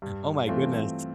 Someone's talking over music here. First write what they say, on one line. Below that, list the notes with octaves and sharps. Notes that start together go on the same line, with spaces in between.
Oh my goodness.
G2
E3 A3 C4 F4